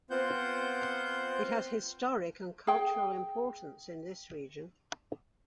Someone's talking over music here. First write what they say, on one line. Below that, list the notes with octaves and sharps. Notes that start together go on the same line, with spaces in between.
It has historic and cultural importance in this region.
B3 C4 F4 C5 F#5 G6
G#4 G5